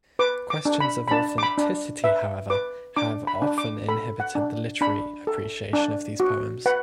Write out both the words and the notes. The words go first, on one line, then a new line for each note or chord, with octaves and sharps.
Questions of authenticity, however, have often inhibited the literary appreciation of these poems.
B4 D6
D6
D4
B5
B5
D4 A5
D6
B5
D4
B4 E5
B4 D6
D4 D6
B5
D4
D6
A4 B5
F#5
D4
D4 B5
A4
D4
F#4
B4 F#5